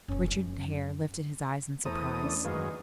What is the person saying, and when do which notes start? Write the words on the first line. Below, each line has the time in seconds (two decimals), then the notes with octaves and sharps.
Richard Hare lifted his eyes in surprise.
0.08 F#1 A#2 C#4
0.25 F#2 C#4 D#4
1.85 E2 A3 C5 A#5 D#6
2.22 C#4 D4 D5
2.44 F#2 D#3 G#3 B4 F5